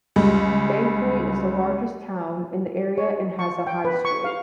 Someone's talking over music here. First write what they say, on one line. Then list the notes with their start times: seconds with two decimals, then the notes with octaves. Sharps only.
Banchory is the largest town in the area and has a High Street.
0.16 C#2 G3 G#3
2.98 C#5
3.39 C#6
3.67 G5
3.85 B4
4.05 C#6
4.24 F5